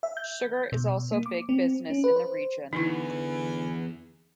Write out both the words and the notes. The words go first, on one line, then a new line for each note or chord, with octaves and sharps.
Sugar is also big business in the region.
E5
G6
B2
A#3
D6
C4
C#4
B4
C5
E2 D3 E3 D#4 E4